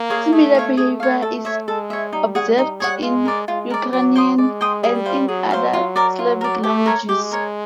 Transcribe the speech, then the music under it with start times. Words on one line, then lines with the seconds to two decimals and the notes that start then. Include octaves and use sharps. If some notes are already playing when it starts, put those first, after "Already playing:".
Similar behavior is observed in Ukrainian, and in other Slavic languages.
Already playing: A#3
0.10 G#4 C#5 F5
0.33 A3 G#4
0.55 C#5 F5
0.77 A3 G#4
1.00 C#5 F5
1.22 A4
1.45 C#5 E5
1.67 G#3 A4
1.90 C#5 E5
2.13 G3 D#4
2.35 G#4 C#5 F#5
2.58 G3 D#4
2.80 G#4 C#5 F#5
3.03 G#3 F4
3.25 A#4 D5
3.48 G#3 F4
3.70 A#4 D5
3.93 F#3 D5
4.16 G5 C6 D#6
4.38 G#3 D5
4.61 G5 C6 D#6
4.83 G3 G#4
5.06 C5 F5
5.28 F#3 G#4
5.51 C5 F5
5.73 F4
5.96 A#4 D5
6.19 F4
6.41 A#4 D5
6.64 A3 G4
6.86 A#4 C#5
7.08 G#3 G4
7.31 A#4 C#5